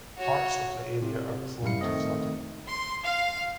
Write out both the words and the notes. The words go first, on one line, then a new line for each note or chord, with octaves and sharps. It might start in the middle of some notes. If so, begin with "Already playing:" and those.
Parts of the area are prone to flooding.
F#4 C#5
C3
F#2 G3 E4 F5 C#7
D#3 A3 C4 D#5
C6
F5